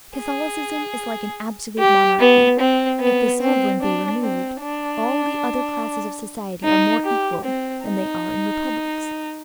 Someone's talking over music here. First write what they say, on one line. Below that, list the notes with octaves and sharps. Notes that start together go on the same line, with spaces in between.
Catholicism is like an absolute monarchy; if the sovereign be removed, all the other classes of society are more equal than they are in republics.
G#4
G4
B3
C4
B3
C4
D4
C4
D4
D#4
G4
C4
D#4